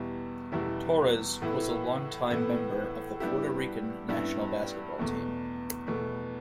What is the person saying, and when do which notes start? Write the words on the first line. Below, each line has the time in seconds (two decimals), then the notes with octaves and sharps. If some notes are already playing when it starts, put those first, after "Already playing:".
Torres was a longtime member of the Puerto Rican national basketball team.
Already playing: E2 B2 G3 E4
0.52 E2 B2 G3 E4
1.42 A2 E3 B3 E4
2.30 A2 E3 B3 E4
3.20 G2 G3 B3 E4 G4
4.09 G2 G3 B3 E4 G4
4.98 E2 B2 A3
5.87 E2 B2 A3